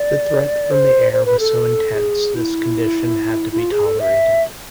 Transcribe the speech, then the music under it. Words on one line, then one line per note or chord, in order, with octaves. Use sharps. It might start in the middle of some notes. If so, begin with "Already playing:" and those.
The threat from the air was so intense this condition had to be tolerated.
Already playing: D5
C5
C5
B4
A4
G#4
E4
E4
F4
G#4
A4
E5